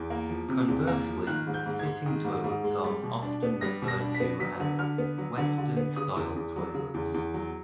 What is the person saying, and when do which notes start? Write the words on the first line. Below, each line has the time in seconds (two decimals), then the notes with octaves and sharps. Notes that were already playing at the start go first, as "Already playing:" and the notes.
Conversely, sitting toilets are often referred to as "western-style toilets".
Already playing: E2
0.10 A#3
0.30 F3
0.49 C3
0.68 E2
0.87 A#3
1.08 F3
1.27 D#3 F#6
1.47 G#2
1.54 G6
1.66 G#2
1.79 G#6
1.86 G#3
2.06 D#3
2.25 G#2
2.44 G#2
2.64 G#3
2.84 G3
3.03 B2
3.22 D4
3.43 B3
3.61 G3 A#6
3.82 B2
3.88 A#6
4.01 D4
4.15 B6
4.20 B3
4.40 F#3 B6
4.60 D3
4.79 D3 F6
4.98 B3
5.18 F#3
5.38 D3
5.58 D3
5.77 B3
5.96 C#3 D#6
6.16 E2
6.36 E2
6.56 F#3
6.74 C#3
6.94 E2
7.14 E2
7.34 F#3